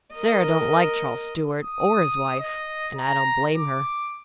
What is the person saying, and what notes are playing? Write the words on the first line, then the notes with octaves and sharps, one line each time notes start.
Sara don't like Charles Stuart or his wife--and I don't blame her.
A#4 D#5
D#6
D#5
A#5
D6